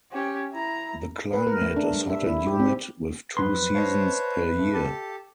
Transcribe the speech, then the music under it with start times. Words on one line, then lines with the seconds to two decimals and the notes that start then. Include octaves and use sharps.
The climate is hot and humid with two seasons per year.
0.12 C#4 G4
0.51 E4 A#5
1.33 B4
1.47 A#4
1.62 A3
1.77 D4
1.94 G3
2.09 E5
2.26 E4
2.47 G4
2.60 C4
3.37 F2 F#3 B4 C6
3.75 C5 C#5 D#5 F5 A5
4.57 A3
4.73 G4 A4 A5